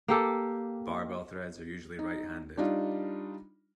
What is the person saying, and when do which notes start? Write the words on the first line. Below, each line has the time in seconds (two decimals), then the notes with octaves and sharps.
Barbell threads are usually right-handed.
0.08 A#3 G4 A4
1.99 D#4
2.57 G3 D4 D#4 F4